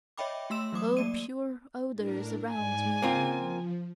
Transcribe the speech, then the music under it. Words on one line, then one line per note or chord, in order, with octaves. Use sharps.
O pure odours around me!
C#5 D#5 E5 G5 B5 D6
A3 C6 E6 E7
E3 F#3 D6 D#6
A#3 D5 D#7
A2 D4 A#4
G#2 D5 G#5
C#3 A#3 C4 F4
F3